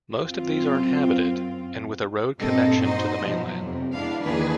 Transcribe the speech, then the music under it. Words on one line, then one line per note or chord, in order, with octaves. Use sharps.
Most of these are inhabited, and with a road connection to the mainland.
F#2 C4 F4
G2 A#2 A#3 C4 A4 D#5
D#4 F#4 C5 D#5
B2 F3 F#3
F2 C3
G#3 B3 D4 E4 F5
D#2 D#3 E3 D4 G#4 B4